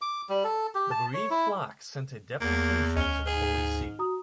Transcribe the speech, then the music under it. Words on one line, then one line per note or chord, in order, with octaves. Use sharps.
The bereaved flock sent a deputation to the Holy See.
D6
G3
A4
G4
A5
C#5
E4
E2 A#3
D2 C#4 D#5 F6 G7
G#2 G#4
F#4 A#5 D#6